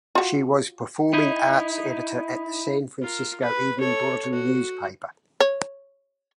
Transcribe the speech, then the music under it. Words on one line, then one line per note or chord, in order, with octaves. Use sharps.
She was performing arts editor at the "San Francisco Evening Bulletin" newspaper.
F4 F#4
D#4 E4
F4 A#4
B4
A4 C#5
F#4
C#5